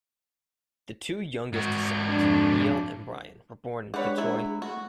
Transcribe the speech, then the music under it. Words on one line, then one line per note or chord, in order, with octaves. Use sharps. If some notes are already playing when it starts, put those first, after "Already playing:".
The two youngest sons Neil and Brian were born in Fitzroy.
G#2 F#4
F2 D4
G3 G#3 D4 G#4 B4 C#5 F#5
F#3 E4
A3 F#4